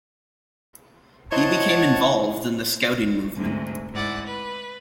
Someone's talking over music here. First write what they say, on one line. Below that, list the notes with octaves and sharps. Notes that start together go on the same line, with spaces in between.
He became involved in the Scouting movement.
E4 C5 C#5 D#5 F#5 A5
D2 G#2 C3
G#2 E4 D5 F#5
B4